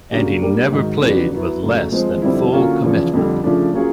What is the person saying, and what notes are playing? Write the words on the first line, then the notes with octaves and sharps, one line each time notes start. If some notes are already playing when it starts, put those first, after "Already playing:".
And he never played with less than full commitment.
C#3 F#3 A#3 D4 G4
G3 A#3 D4 G4 A#4
G#2 D#3 F#3
F2 C#3 F#3 B3 D4
F#3 B3 E4
F#2 C#3 F#3 A3
F3 G#3 C4
F2 D3 G3 C4 E4
D3 F#3 A#3 C#4 F4
E2 C#3 F3
F2 D3 G3
C#3 F3 A3 D4
F#3 A#3 C#4 F4 G#4